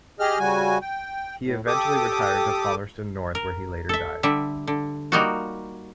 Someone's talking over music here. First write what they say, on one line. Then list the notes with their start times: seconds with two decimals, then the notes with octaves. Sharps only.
He eventually retired to Palmerston North where he later died.
0.20 G4 G#4 D#5 F6
0.39 C#3 G3 F#4 G#5
0.82 G5
1.42 A2
1.67 G4 A4 D6 D#6
3.35 A#4
3.89 A4 E5
4.23 D3 G3 E5
4.67 D3
5.12 G3 A#3 D#4 F4 F#4